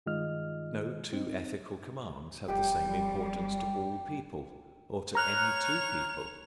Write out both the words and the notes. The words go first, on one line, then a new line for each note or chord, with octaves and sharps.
No two ethical commands have the same importance to all people or to any two people.
G2 D#3 G#3 F4 D#5 F6
C4 D#4
D#1 F2 G3 G4 G5
C#5 A#5 F6 F#6 F7